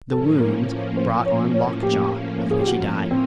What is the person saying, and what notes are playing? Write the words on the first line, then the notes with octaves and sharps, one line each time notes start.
The wound brought on lockjaw, of which he died.
A2 F3 A#3 C#4 A4
A#4
C5
C#5
C#5
G4
G#4
G4
F#4
C4